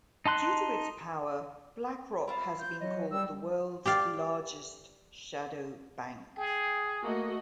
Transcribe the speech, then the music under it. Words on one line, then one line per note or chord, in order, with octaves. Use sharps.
Due to its power, BlackRock has been called the world's largest shadow bank.
D#4 A5 C6 F#6
E4 F4 C5
G6
F#3 D#5
G3 E6
G4 D5 F5
G#4 G5
A3 A#3 F#4 D#5